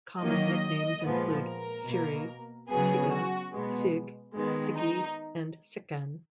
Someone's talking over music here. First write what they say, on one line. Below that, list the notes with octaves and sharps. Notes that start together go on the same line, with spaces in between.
Common nicknames include Siri, Sigga, Sig, Sigi, and Sickan.
D#3 F#3 A#3 D#5
A#2 F3 G#3 B3
A#4
B2 A#3
C#3 F#3 B3 G#4
F#4
B2 G#3 B3
D#3 G#3 B3
D#4